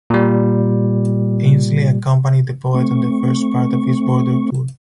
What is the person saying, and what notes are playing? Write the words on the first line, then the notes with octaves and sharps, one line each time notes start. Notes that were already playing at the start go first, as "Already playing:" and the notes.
Ainslie accompanied the poet on the first part of his Border Tour.
A#2 G3
A3 C4 C#6